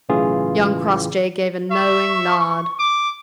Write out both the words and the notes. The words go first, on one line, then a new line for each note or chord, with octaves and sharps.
Young Crossjay gave a knowing nod.
B1 A2 C#3 E3 F4 G#4
E5 C#6
D6